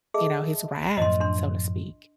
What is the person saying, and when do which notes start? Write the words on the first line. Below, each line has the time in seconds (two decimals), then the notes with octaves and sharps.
you know, his wrath, so to speak.
0.14 G#4 A4 D#5 E5
0.98 F#2 A2 F3 D#5 C6
1.20 D4 C6